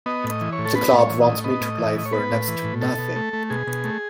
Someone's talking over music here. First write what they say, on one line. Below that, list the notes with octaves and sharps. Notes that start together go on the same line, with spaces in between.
The club wants me to play for next to nothing.
B3 D#5
A2
D#5
E3
C#5
A2
A4
B3 B4
A2
C#5
E3
D#5
A2
B3 D#5
A2
E3
A2 D#5
C#5
B3 B4
A2
E3
A2
B2 A4
B2
A3
A3
B2 G#4
B2
A3